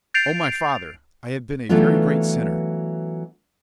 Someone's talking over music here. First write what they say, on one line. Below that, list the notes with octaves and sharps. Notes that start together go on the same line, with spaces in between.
"O my father, I have been a very great sinner!"
G6 A6 C7 D7 F7
E3 F#3 A3 B3 D4 F4